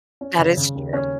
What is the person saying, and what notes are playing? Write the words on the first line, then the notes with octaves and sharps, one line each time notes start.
That is true.
C#4
C#3
C#3
D#2
C#4